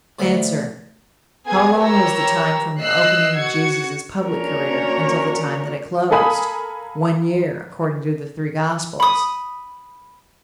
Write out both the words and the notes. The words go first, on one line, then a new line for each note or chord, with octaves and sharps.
ANSWER: How long was "the time from the opening of Jesus' public career until the time that it closed?"--One year!--according to the three gospels.
A2 D3 F3 B4 E5 F5
B3 G#4 G#5 G#6
G4 A#4 B4 C#5 A#5 E6
D#5 E6 F#6 C7
F#4 G#6 C#7
A#3 C#4 D4 F#4 A#4 C#5
A4 A#4 F5 G#5 B5 D#6
B5 D#6